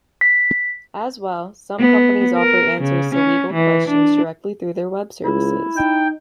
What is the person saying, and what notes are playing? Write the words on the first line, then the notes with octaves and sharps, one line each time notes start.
As well, some companies offer answers to legal questions directly through their web services.
B6
B3
A#4
C#3
C#4
E3
D4
C#2 E4
D#4 G5